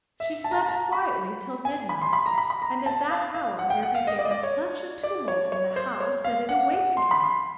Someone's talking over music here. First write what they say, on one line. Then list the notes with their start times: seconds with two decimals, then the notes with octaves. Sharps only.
She slept quietly till midnight, and at that hour there began such a tumult in the house that it awakened her.
0.20 E5
0.44 A5
0.51 A#5
0.58 A5
0.68 A#5
0.92 B5
1.65 G#5
1.89 B5
2.01 C6
2.13 B5
2.26 A#5
2.38 B5
2.50 B5
2.62 A#5
2.86 A5
3.10 F5
3.34 F5
3.59 F#5
3.70 G5
3.83 F#5
3.95 F5
4.07 D#5
4.19 D5
4.25 D#5
4.31 D5
4.43 C#5
5.03 D5
5.28 C#5
5.52 C#5
5.76 C5
6.00 C#5
6.24 F5
6.49 F#5
6.73 F#5
6.97 C6
7.11 B5
7.21 C6